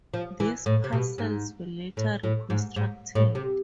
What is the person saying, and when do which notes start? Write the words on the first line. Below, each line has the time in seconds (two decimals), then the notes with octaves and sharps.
These parcels were later reconstructed.
0.14 F3
0.40 E3
0.66 A2
0.84 C3
0.92 B2
1.18 G#2
1.97 A2
2.24 A2
2.50 G#2
2.76 G#2
3.15 A2
3.35 C3